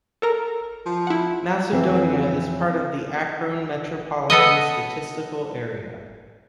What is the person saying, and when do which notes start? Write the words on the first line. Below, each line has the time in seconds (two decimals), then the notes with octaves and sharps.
Macedonia is part of the Akron Metropolitan Statistical Area.
0.22 A4 A#4 A#5
0.86 F3
1.07 E4 F#5
1.71 F2 E3 C4 B4 E5
4.30 B3 A4 B4 D#5